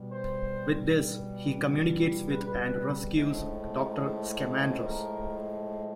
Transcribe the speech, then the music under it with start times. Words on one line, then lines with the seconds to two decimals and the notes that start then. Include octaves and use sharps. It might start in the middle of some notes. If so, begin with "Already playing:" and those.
With this, he communicates with and rescues Doctor Scamandros.
Already playing: B2 G3
0.12 C5
2.28 B4
3.14 A2 F3 G#3
4.86 A#4